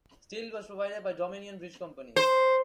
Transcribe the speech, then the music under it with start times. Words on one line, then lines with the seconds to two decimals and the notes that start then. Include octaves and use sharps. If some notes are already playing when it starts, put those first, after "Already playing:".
Steel was provided by Dominion Bridge Company.
2.16 C5